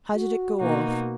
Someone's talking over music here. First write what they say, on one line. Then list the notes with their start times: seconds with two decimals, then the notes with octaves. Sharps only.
"How did it go off?"
0.13 F#4
0.60 B2 A#3 D#4 F#4